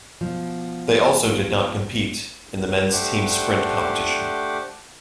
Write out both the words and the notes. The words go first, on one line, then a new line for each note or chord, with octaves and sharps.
They also did not compete in the Men's team sprint competition.
B2 F3
A3 D4 G4 C5 F#5 D6